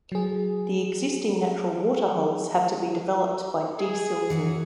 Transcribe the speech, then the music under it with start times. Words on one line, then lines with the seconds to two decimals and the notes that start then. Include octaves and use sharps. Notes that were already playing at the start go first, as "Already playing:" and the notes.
The existing natural water holes have to be developed by desilting.
0.12 F#3 G#4
3.78 G#4
4.30 E3 F#4 C#5